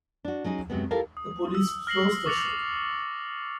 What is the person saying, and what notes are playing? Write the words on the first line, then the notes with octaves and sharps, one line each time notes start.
The police closed the show.
D4 F#4
F#3 C#4 D#4 G#4
F#2 C3 F#3 G#3 B3
E4 F4 G4 A4 A#4 F5
D#6
E6
F6 A#6 C7 F#7
C#6 D6 A6 A#6 C#7 F7